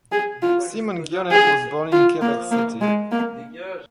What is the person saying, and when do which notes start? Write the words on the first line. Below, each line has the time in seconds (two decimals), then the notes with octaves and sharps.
Simon Gionet was born in Quebec City.
0.12 G#4
0.42 F4
1.31 G#4
1.92 F4
2.21 A#3
2.51 A#3
2.81 G#3
3.11 A#3